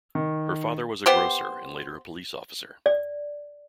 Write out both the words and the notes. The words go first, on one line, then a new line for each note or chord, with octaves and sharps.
Her father was a grocer and later a police officer.
D#3
B3 G4 C5
D5